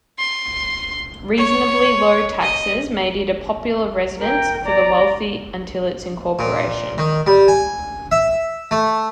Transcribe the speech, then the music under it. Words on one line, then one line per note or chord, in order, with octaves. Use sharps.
Reasonably low taxes made it a popular residence for the wealthy until its incorporation.
C6
C#5
D#5
A#4 G5
D5 A#5
A#2
D#3
G3
G#5
E5
A3